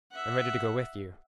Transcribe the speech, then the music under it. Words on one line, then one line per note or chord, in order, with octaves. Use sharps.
"I'm ready to go with you."
E5 F#5